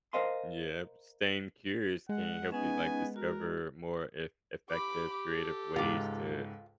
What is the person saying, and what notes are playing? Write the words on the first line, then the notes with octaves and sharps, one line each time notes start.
Yep, staying curious can help you, like, discover more eff effective, creative ways to
A#4 C5 D#5 F5 G#5 C6
G#3 F#5
B3 C#4 D#4 D#5 G#5
F#4 A#4
G4 B5 D6
A4
C#2 G#2 F4 D6